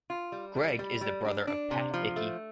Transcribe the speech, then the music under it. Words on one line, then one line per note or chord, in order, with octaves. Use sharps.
Greg is the brother of Pat Hickey.
F4
G3
G3
G3
G3
D4
D4
C3
F3
A3